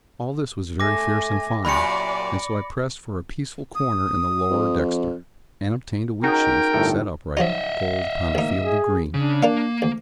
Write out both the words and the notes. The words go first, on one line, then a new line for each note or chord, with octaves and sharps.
All this was very fierce and fine; and so I pressed for a peaceful corner in the lower dexter, and obtained a wheat-sheaf set upright, gold upon a field of green.
A3 G#5 D6 A#6
F#2 A#2 G4 D5 B5 C#7
D#6
F2
C#4 D#4 F#4 G#4 A#4 G5
G1 A2 A4
F3 F#3 D#4 D#5 E5
D2 A#3 D#4
G#4
C#3 D4
A#3 A#4 D5 F5
D2